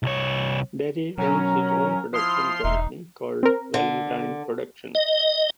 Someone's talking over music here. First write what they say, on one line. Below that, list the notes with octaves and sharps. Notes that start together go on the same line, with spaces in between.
Berry runs his own production company called Valentine Productions.
C2 C#5
B2 F#3 C#4 A#4 A#5
F3 E4 C6 D#6 F6 C7
E1 D#4 E5
C4 A#4
D3
D#5